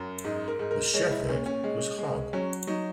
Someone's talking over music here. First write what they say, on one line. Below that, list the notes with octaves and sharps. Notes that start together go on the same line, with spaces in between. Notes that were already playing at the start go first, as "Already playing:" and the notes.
The Shepherd was Hogg.
Already playing: F#2
G#2 D#4
A#4
G#2
A#4
G#3 C#5
E4
A#2 C#4
C#4
G#3 C#4
G#3
F#3 C#4
F#3 D#4